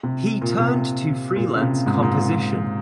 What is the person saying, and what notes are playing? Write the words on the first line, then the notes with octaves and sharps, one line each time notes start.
He turned to freelance composition.
C3
A#2
C3
A#2
C#3
C3
G#2
A#2
G#2
A#2